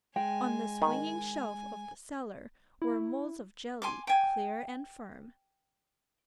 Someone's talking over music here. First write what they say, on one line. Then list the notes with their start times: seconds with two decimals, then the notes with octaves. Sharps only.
On the swinging shelf of the cellar were moulds of jelly clear and firm.
0.16 G#3 G5 G#5
0.82 D#3
2.82 E4
3.82 G#5 C6 D6
4.07 G5 G#5